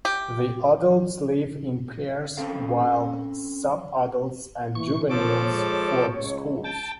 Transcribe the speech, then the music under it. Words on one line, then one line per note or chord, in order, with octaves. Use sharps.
The adults live in pairs while subadults and juveniles form schools.
G4
C4 C#4 A4 F5
E3 C#6
F3 C4 A4 C#5 D6
G#3
C#2
G5 A5